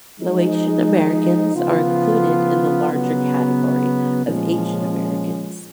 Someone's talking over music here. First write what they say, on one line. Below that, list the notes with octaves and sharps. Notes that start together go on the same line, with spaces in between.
Laotian Americans are included in the larger category of Asian Americans.
F3 G#3 D#4
C#3 F3 B3 F4
C#3 F#3 B3
A#2 F3 G#3 C#4